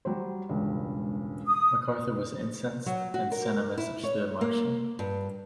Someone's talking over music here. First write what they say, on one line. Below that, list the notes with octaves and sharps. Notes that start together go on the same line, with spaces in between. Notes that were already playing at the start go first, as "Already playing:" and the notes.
MacArthur was incensed and sent a message to Marshall.
F#3 G3 C5
E1 C#2 G2
D#6
F#3
F#4
A#4
E4
C#5
A#3
G2